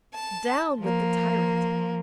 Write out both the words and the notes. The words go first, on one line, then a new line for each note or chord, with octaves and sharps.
Down with the tyrant!
A5
F3 A#3